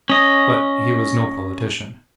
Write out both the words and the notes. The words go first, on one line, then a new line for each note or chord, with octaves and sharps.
But he was no politician.
C#4 D#5